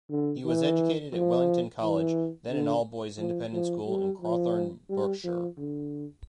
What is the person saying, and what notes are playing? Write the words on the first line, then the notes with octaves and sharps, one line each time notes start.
He was educated at Wellington College, then an all-boys independent school in Crowthorne, Berkshire.
D3
E3
F3
E3
D3
F3
F3
G3
F3
G3
F3
D3